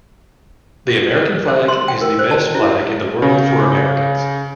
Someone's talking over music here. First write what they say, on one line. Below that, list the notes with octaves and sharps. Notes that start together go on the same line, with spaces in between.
The American flag is the best flag in the world for Americans.
C5
C6
G5
A#4
C5
A5
E4
C#3